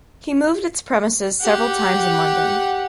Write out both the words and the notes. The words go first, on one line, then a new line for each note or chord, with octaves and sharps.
He moved its premises several times in London.
G4 F#5